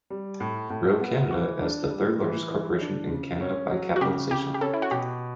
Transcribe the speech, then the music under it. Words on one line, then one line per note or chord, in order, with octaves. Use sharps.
Roe Canada as the third largest corporation in Canada by capitalization.
G3
A2
A2
B3
E3 F#4
D4
G3
E3
E3
D4
C#3
C#4
F#3
F#4
C#3 G4
C#3 G4
G4
C#4 A4
E4
F#4
B2 G4